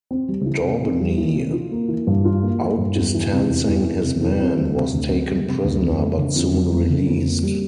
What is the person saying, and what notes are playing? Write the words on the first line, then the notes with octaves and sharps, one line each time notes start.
Daubeny, outdistancing his men, was taken prisoner, but soon released.
C4
G3
E3
C3
C4
G3
E3
C3
F4
A#3
E3
G2
F4
A#3
E3
G2
E2
E3
C3
E2
E2
E3
C3
E2
C4
G3
C3
D2
C4
G3
C3
D2
F2
A3
D3
F2
F2
A3
D3
F2
A#3
G3